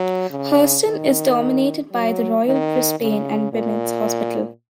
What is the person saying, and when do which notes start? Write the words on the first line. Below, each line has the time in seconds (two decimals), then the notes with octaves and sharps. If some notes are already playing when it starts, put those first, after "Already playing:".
Herston is dominated by the Royal Brisbane and Women's Hospital.
Already playing: F#3
0.30 C#3
0.84 D#3
1.92 F#3
2.46 D#3
2.99 C#3
3.53 A#2